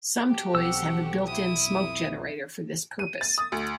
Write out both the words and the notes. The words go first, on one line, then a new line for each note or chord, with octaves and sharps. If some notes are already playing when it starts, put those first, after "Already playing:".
Some toys have a built-in smoke generator for this purpose.
F#4 G4 A4
B1 C4 F#5 E6
E4 D#6
F2 E3
D#7
A6
D#6
D2